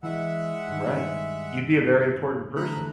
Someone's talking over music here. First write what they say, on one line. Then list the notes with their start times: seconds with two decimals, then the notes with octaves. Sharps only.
Right, you'd be a very important person.
0.03 E3 G#3 E4 D#5 E5 F#5
0.68 G2 D#3
2.56 D3 E3 A3 A#5 B5 F#6